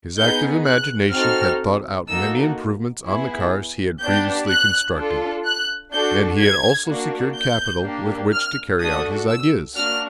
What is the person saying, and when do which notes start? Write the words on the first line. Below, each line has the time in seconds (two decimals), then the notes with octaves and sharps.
His active imagination had thought out many improvements on the cars he had previously constructed; and he had also secured capital with which to carry out his ideas.
0.18 B3 D#4 G#4 G6
0.66 F#6
1.13 C4 D#4 F#4 A4 F6
2.09 A#3 D#4 F#4 A4 E6
3.05 B3 E4 G#4
4.02 B3 D4 G4 G6
4.49 F#6
4.97 D4 F4 A4
5.45 F#6
5.93 D4 F#4 A4 G6
6.41 G#6
6.88 A#3 D4 F#4
7.37 G6
7.84 A#3 D4 G4
8.33 F6
8.81 A3 D4 F#4 A4 D#6
9.29 E6
9.76 A#3 D4 F#4 F6